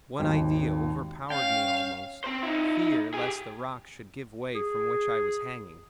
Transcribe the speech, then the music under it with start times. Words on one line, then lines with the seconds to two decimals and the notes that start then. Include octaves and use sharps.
One idea overpowered me almost, fear lest the rock should give way from which I was hanging.
0.19 G#1 D#2
1.30 C#4 F5 G5
2.24 C4 C5
2.43 D#4 E4
3.14 G4 G#4
4.55 G#4